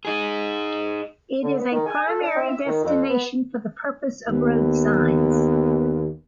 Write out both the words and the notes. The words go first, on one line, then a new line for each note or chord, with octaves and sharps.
It is a primary destination for the purpose of road signs.
D#4 G#4
D3
B3
D#3
G#5
A4
D4
C4
E5
D#3
F2
B3
D#2 B3